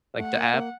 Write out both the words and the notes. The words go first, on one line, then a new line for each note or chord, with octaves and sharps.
like the app
A3 F#5
A#3
A#3